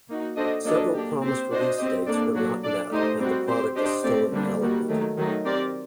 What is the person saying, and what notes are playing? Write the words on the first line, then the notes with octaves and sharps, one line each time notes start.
Several promised release dates were not met and the product is still in development.
A#3 D#4 F#4
D4 F#4 A4 C5 D#5
F#3 A#3 D4 A4 D#5
A#3 D4 G4
C4 G4 C5
D4 F#4 C5 D#5
C4 G4 C5 D#5
A#3 D4 A4 D5
F#3 A#3 D4 F#4 A4
D4 A4 D5
A3 D#4 G4 C5 D#5
G3 C4 F#4
C4 G4 C5
D4 G4 C5 D#5
A3 C4 G4 D5
D3 G3 A#3 D4
D#3 G3 A#3 F#4
D#3 F#3 A3
D#3 F#3 A3 D#4
C4 G4 A#4 D5